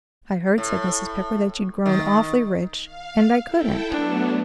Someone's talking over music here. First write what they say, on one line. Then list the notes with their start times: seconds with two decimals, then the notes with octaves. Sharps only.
"I heard," said Mrs. Pepper, "that you'd grown awfully rich, and I couldn't."
0.58 A2
1.86 D#3
2.82 F5
3.46 E4 A4 G5
3.90 F#3 A3 B3 D4